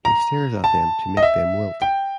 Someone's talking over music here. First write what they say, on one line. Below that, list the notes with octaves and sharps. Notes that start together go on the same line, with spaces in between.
He stares at them to make them wilt.
A#5
A5
D#5
E5
G5